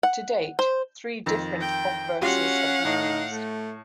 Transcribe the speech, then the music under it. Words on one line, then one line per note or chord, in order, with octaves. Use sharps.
To date, three different obverses have been used.
F#5
C5
F2 D#3
G5
G3 C#4 F4 F#4 F5 F#5
A2 D#4
A3